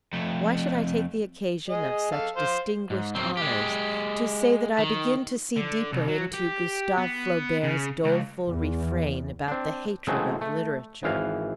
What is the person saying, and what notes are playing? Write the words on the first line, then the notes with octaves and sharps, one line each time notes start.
Why should I take the occasion of such distinguished honours to say that I begin to see deeper into Gustave Flaubert's doleful refrain about the hatred of literature?
F2 A3
G#4 D#5
A4 F5
C5 F5
G#2
F#3 C4
G#3 G4
D#3
D3
C2
F#3
G4
B3
C#3
C#2
E2
C4 D4
C#3 E3 F#3 G#3 A3 C4
A3
G#1 E3 F5